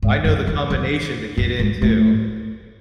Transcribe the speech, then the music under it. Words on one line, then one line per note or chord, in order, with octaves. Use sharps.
I know the combination to get in too.
G#2
F#2
E2
F#2
F#2
G#2
A2